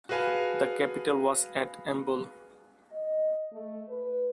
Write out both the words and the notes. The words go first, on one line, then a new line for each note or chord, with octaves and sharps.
The capital was at Mbul.
F#4 G#4 B4 F5 G#5 A5
D#5
A3
B4